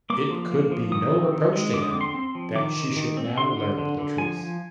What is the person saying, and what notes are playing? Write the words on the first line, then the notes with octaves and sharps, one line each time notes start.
It could be no reproach to him that she should now learn the truth.
A#3 D6
F3
A#3
F3
D#3 D#6
C4
D#3
G#3
D3 D6
D#6
C4 D6
C6
C4
F3
D#3 D6
D#3
D#3
C4
D3 C6
D3
D3
D3
F3 G#5
F3